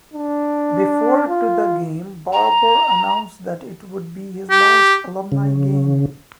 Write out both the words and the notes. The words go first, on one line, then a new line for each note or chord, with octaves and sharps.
Before to the game Barber announced that it would be his last alumni game.
D4
F4
A#5
G4
C#3